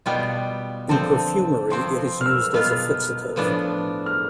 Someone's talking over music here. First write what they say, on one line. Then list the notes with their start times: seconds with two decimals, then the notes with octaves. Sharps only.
In perfumery it is used as a fixative.
0.06 B2 G3 B3 F4 G5
0.89 D3 F3 C4 A5
1.70 C3 F3 C4 C6
2.21 F6
2.26 E6
2.54 B2 B3 F4 F6
3.36 A2 F3 B3 D4
4.06 F6